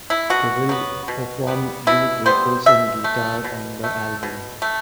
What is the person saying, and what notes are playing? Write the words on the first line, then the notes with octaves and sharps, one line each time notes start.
Deville performed lead vocals and guitar on the album.
E4
B2 F#4
F#3 B3
B2
G3 B3
B2 E4
G3 B3 C5
B2 E5
A3
B2
A3
B2
A3